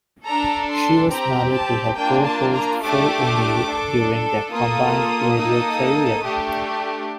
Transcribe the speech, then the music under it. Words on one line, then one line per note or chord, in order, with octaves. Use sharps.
She was married to her co host Phil O'Neil during their combined radio career.
D4 A4 A#5
C6
C4 G4 A#5
A5
A#3 D4 F4 G5
A5
A#5
A3 D4 G4 D6
D4 A4
A#3 F4 A4 D#6
A#3 D#4 A4
A3 D4 G4